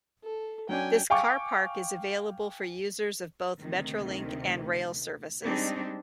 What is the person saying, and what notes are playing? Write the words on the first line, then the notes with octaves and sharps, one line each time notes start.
This car park is available for users of both Metrolink and rail services.
A4
F#3 C#4 D4 G5 G#5
F5 G5 G#5 C#6 D6
D2 C3 D#3
G3 G#3 C4 D4 D#4 G4